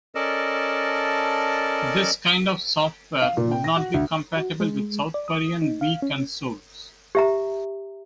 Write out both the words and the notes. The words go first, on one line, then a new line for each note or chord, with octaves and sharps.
This kind of software would not be compatible with South Korean Wii consoles.
C#4 A4 A#4 D5 D#5 A5
F5
A#2
G5
A#6
F#4
D2
F#4
G#3
D5
D#6
D#4
F5
C#4
G4 E5 A#5